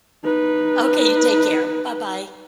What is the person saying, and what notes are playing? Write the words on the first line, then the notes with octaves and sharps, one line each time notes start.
Okay, you take care, buh-bye.
D#4 B4